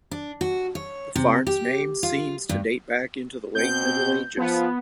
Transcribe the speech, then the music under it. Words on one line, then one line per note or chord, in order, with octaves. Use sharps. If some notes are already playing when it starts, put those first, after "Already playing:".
The farm's name seems to date back into the late Middle Ages.
D4
F#4
C#5
C3
G4
F4
G2
B2 C4 G6
F3 B3